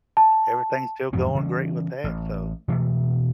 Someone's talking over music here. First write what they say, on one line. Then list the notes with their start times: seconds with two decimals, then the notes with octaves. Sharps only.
everything's still going great with that so
0.17 A5
1.13 E2 G#2 F3 C4
1.35 C#3 E3 G3 C#4
2.04 A1
2.68 B2 E3 A3